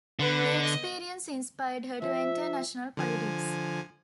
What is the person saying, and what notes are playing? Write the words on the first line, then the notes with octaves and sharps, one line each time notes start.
The experience inspired her to enter national politics.
D3 B3 B4
D#5
F3 E5
D3 F3 G#5